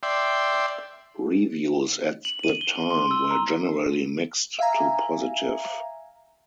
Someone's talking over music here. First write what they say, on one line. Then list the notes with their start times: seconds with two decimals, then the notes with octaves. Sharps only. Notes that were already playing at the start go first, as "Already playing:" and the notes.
Reviews at the time were generally mixed-to-positive.
0.03 D5 E5 G5 C6
2.25 F#7
2.43 D#7
2.61 G7
2.90 C6
3.11 E6
3.31 A#5
4.59 E5 F5 G#5 A#5